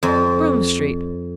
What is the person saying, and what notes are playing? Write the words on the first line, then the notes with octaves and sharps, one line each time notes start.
Groome Street.
F2